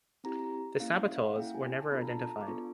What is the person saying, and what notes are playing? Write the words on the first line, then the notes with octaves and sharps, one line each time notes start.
The saboteurs were never identified.
C4 E4 G4 A#5
A#3 C#4 E4 F5
E5
F5
F#5
A#3 C#4 E4 G5
G#5
A5
B3 D4 F4 A4 B5
A#5
A5
A#5
D6
B3 D4 F4 A4 C#6